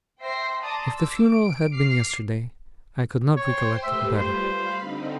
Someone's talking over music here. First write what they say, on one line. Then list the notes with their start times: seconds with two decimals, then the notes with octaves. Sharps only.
If the funeral had been yesterday, I could not recollect it better.
0.20 C5 E5 G5 A#6 C7
0.62 D5 A5 A#5 C6 D6 D#6
0.93 D6 E6
1.27 D7
1.73 D6 F6 C7
3.37 C5 C#5 G5 C6
3.84 A3 G4 B4 E5
4.17 G3 F4 B4 C5
4.47 F5 B5
4.79 D3 C4 D#4